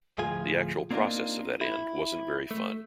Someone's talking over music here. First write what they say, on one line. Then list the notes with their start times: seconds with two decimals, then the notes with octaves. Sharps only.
The actual process of that end wasn't very fun.
0.18 D2 A2 F3 F4 G#4 G#5
0.91 A#3 C4 D4 D#4 F4 A#4
1.61 E4
2.51 A3